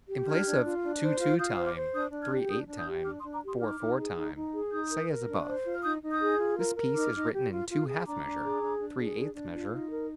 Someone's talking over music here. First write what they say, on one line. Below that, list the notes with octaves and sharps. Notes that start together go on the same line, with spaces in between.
In place of: "two-two time, three-eight time, four-four time," say as above: "This piece is written in two-half measure, three-eighth measure, four-quarter measure."
G4
D4 F6 G#6
D4
F4
D4
C5
F4
F4 D#6 G6
C5
D6 F6
C5
D4 D#6 G6
D4
F6 G#6
G4
D4 D#6 G6
D4
D#6 G6
G4
D4 D6 F6
C6 D#6
D4
A#5 D6
G4 C6 D#6
D#4 D6 F6
D#4
G#4
D#4
D#4
G#4
D#4 D#6 G6
A#4
A#4
D4
C5
F4
F6
D#4 D#6 G6
D#4
D#6 G6
G#4
F4
A#4
A#4
D#4 D6 F6
D#4
G4
F4
F4
G#4
D4 A#5 D6
D4
G#4
D4
D4
G#4
D4
D4
F4
D#4
A#4